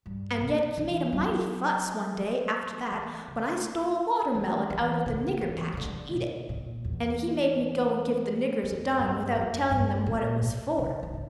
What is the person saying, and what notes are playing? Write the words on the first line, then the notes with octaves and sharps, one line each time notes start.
And yet he made a mighty fuss, one day, after that, when I stole a watermelon out of the nigger-patch and eat it; and he made me go and give the niggers a dime without telling them what it was for.
G2
B2
E3
F#3
E3
C#3
E3
E3
C#3
E3
E3
D3
B2
A#2
E2
F#2
G2
F#2
G2
A#2
B2
C#3
D3
C#3